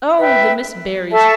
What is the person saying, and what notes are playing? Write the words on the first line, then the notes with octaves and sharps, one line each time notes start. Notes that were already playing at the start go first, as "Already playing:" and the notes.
Oh, the Miss Berrys!
B4 E5 G5
A4 E5 A5 C#6